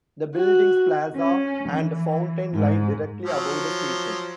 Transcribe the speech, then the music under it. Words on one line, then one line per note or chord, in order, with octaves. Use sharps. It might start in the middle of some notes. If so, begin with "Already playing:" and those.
The building's plaza and fountain lie directly above the station.
F#4
C#4
E3
G#2
F3 F#3